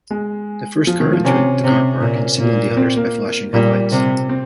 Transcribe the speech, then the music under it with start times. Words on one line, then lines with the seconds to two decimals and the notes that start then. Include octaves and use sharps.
The first car entered the car park and signaled the others by flashing headlights.
0.11 G#3
0.87 F3
1.00 D#3
1.13 F3
1.25 C3 C#4
1.64 C3
2.01 A#2
2.39 A#2
2.77 C4
2.96 A#3
3.53 A#2 G3
3.92 C3
4.29 C4